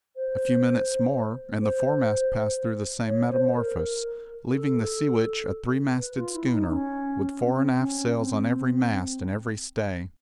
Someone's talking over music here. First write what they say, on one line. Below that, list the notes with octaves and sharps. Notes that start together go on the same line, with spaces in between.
A few minutes more, and the foremast passed through the same metamorphose, leaving the "Sea Witch" a three-masted schooner, with fore and aft sails on every mast and every stay.
C5
C5
C#5
C5
A#4
A4
B4
F4
E4
D#4
C#4
C4
C#4
C4